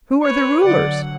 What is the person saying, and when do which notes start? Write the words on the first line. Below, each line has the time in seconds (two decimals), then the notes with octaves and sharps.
Who are the rulers?
0.22 B4 C#5
0.65 D3 F#3 D5 F#5